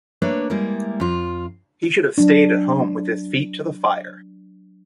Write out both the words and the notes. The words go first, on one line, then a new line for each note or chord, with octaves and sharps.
He should have stayed at home with his feet to the fire.
A3 A#3 D4 B4 C#5
G3 G#3 A#3 E4 A#4
F2 F4
F#3 D4